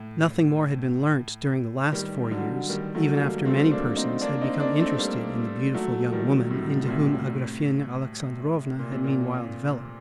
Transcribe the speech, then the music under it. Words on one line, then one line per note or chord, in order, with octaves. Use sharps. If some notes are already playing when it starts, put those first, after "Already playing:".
Nothing more had been learnt during the last four years, even after many persons had become interested in the beautiful young woman into whom Agrafena Alexandrovna had meanwhile developed.
Already playing: A2
D#3 G3
D3 F#3
D#3 G3
F#3 A3
G3 A#3
A3 C4
A#3 D4
C4 D#4
A#3 D4
C4 D#4
A#3 D4
A3 C4
G3 A#3
F#3 A3
D#3 G3
A2 C3
A#2
A2 C3
A#2
C3
A#2